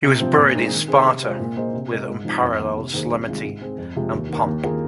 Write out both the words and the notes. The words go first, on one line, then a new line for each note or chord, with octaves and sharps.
He was buried in Sparta, with unparalleled solemnity and pomp.
C3
F3 C4
A#2
G#3 C4 D#4
D#3
C4 G#4
C3
G#3 F4 G#4 C5
A#2
A#3 G#4 C5 D#5
C3
G#3 F4 A#4 D#5
G#2
F3 C4 D#4
F2
D#3 A#3
C3
D#3 A#3 G#4 C5
C2
C3 D#3 G#3 F4
G#2
G#3 C4
F2
C3 F3 G#3 F4
D#2
D#3 A#3
D#2
D#3 A#3 F4 G#4